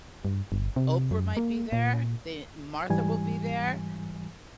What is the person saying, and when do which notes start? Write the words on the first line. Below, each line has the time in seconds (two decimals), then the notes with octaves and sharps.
Oprah might be there, the Martha will be there,
0.25 G2
0.52 G1
0.76 C3
1.11 F#2
1.37 A#3
1.72 A#2
2.89 G#2 E3 G3 G#5